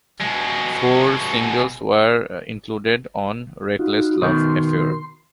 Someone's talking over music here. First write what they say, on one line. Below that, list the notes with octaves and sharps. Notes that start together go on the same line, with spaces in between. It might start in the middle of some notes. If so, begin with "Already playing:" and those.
Four singles were included on "Reckless Love Affair".
B2 G#3
D#4 F4 F#4
B2 D#3 C6